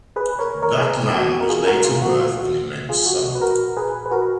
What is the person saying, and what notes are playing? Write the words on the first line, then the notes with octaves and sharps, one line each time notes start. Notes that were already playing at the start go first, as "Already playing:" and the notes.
That land was later worth an immense sum.
G#4 B4
A#4 C#5
A#4 C#5
G#4 B4
F#4
F#4
A#4
F4 G#4
F#4 A#4
A#4
F4 G#4
F4
A#2 F3 F#4
F4
F#4
F4 G#4
F#4
F#4
B4
F#4 A#4
G#4 B4
B4
F#4 A#4